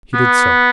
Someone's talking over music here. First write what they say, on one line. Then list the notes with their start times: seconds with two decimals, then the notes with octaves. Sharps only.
He did so.
0.14 B3